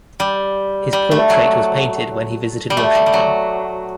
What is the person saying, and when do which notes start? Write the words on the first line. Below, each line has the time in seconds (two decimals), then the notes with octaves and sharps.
His portrait was painted when he visited Washington.
0.20 G3
0.93 G3
1.11 A3
1.30 F#3
2.70 G3
2.77 A3
2.95 G3
3.06 G3
3.14 F#3